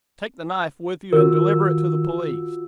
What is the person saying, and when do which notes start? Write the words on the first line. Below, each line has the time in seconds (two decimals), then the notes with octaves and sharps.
"Take the knife with you, and deliver it to the police."
1.13 D#3 F4 F#4 A#4 E6